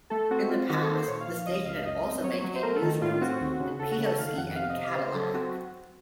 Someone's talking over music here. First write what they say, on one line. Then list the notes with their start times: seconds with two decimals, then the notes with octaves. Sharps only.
In the past, the station had also maintained newsrooms in Petoskey and Cadillac.
0.10 A3 A4
0.31 C4 F#4
0.49 C4 F4
0.69 D#3 F#4
0.82 A4
0.88 A#3
0.95 C5
1.08 A#2 C#5
1.21 F5
1.27 F3
1.34 F5
1.46 C#2 D#5
1.66 C#2 F5
1.85 F#2 D#5
2.05 C4 D#5
2.23 F#3 C#5
2.44 F#3
2.56 C5
2.63 A3 A#4
2.76 A4
2.82 D#3
3.02 A2 F4
3.21 C4 F#4
3.40 D#2
3.59 C#3
3.79 C#3 A4
3.92 F#4
3.98 C#3
4.06 A4
4.18 D#3 F5
4.37 F2 F#5
4.56 C3 F5
4.70 D#5
4.76 C3
4.83 F5
4.96 C#3 C5
5.14 F#3 A4
5.34 C4 F#4